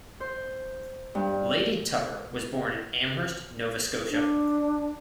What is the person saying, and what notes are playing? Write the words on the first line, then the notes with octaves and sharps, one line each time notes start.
Lady Tupper was born in Amherst, Nova Scotia.
C5
G2
D4